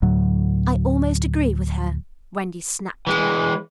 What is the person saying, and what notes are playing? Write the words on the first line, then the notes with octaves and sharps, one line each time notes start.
'I almost agree with her,' Wendy snapped.
D2 A2 F#3
E3 G#3